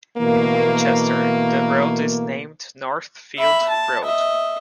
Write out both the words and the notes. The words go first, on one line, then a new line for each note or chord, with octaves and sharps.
In Winchester, the road is named Northfield Road.
B2 E3 A3 A#3
E5 B5
A5
D#5 E5